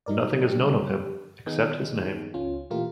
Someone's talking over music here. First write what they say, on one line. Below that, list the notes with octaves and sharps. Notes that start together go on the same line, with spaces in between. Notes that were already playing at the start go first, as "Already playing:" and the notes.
Nothing is known of him, except his name.
F#3 D#4 A#4 D5
D3 F#3 G3 A3 G4
D#3 B3 D#4 G#4
C#2 C#4 F4
A#2 E3 A3 F4 G4 A#4